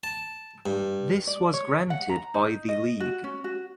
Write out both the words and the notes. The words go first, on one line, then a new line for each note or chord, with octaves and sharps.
This was granted by the league.
A5
G2
D5
C#5
F#5
A#5
D#4
D#5
F#4
C#4
F#4